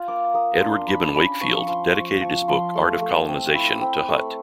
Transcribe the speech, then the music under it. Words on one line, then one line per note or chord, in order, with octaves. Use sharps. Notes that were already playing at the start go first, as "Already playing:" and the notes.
Edward Gibbon Wakefield dedicated his book "Art of Colonization" to Hutt.
Already playing: F4
A#3 D6
A#3 D#6
D4 C6
D4 B5
C#4 B5
F3 C#6
C#6
F3 C6
F3 C#6
F3 C#6
F3 C6
A3
A3
C4
E4
C4
A3